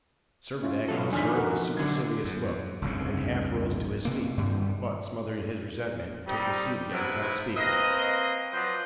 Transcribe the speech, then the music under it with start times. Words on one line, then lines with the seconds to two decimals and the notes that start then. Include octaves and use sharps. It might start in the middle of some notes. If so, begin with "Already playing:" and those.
Servadac observed the supercilious look, and half rose to his feet, but, smothering his resentment, took his seat again without speaking.
0.62 C#4 E4 F4
0.88 B2 F#3 A4
1.13 F2 D#3 D4 G#5 F6 B6
1.34 E4 F#4 A#4
1.77 F#2 D3 G#6
2.25 F#2
2.82 F1 C2 G2 C#3
4.05 C3 A#3
4.37 G2 D#3 G3
6.27 G3 C4 D#4
6.91 G#2 B2 F3 F#3 E4
7.57 A#3 C4 B4 D#5
8.53 F3 F#3 B4 C5 D5 D#5